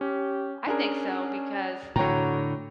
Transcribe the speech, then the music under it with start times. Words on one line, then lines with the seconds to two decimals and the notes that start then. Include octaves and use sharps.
I think so because
0.01 C#4 G4
0.67 C#4 D4 G#4 A#4
1.96 A2 D3 F#4 C#5 G5 A#5